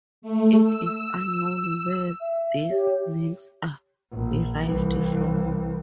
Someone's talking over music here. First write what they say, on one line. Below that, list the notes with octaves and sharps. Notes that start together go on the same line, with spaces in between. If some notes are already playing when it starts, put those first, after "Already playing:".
It is unknown where these names are derived from.
A3
E6
E5
G4 C#5
A#1
C2 E3